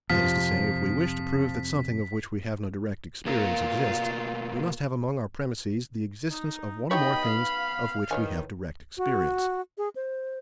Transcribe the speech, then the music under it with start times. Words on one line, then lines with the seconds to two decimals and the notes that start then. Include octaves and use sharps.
That is to say, if we wish to prove that something of which we have no direct experience exists, we must have among our premisses the existence of one or more things of which we have direct experience.
0.10 F2 C3 F3 B6
3.25 B2 A#3 F4 A#4 F5
6.30 D#4
6.91 B3 D#4 G4 C#5 D#5 G5 B5
7.25 F5
8.11 A2 D#3 B4 C#5 G#5
8.97 F#4
9.78 G#4
9.96 C5